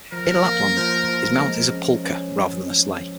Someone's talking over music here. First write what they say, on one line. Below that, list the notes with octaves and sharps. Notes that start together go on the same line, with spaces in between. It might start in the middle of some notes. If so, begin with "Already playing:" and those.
In Lapland, his mount is a "pulkka" rather than a sleigh.
F3 A#4
A#3
F3
F3
G#3
C#4
C#4